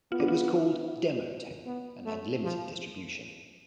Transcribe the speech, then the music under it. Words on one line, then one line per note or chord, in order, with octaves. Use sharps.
It was called "Demo Tape" and had limited distribution.
B3 F4
D4
F4
B3
A3
F3